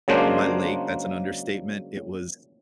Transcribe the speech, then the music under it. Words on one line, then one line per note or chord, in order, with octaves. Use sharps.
And by lake, that's an understatement. It was
C#3 F#3 G#3 A#3 D4 C5